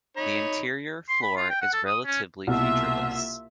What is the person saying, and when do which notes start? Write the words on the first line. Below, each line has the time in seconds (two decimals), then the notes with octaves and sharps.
The interior floor is relatively featureless.
0.17 D#4 C#5 B5
1.09 C6
1.22 B5
1.37 F4
1.50 G5
1.62 F#5
1.73 A4
1.87 D#6
2.06 C#4
2.47 C2 B2 A#3 F4 E5